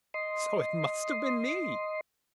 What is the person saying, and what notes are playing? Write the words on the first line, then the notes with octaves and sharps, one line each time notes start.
So it must have been me!
D#5 C6